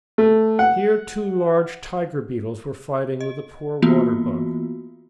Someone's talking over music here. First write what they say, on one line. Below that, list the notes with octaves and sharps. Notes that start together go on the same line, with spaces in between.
Here two large tiger-beetles were fighting with a poor water-bug.
A3
F#5
D#5
E3 A#3 B3 F4 F#4